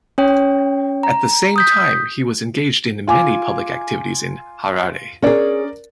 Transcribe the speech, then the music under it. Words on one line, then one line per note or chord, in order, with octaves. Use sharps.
At the same time he was engaged in many public activities in Harare.
C#4 C#5 G5
A#5
D#6 G6 B6
F4 G#5 D6
C#4 G#4 A#4 D5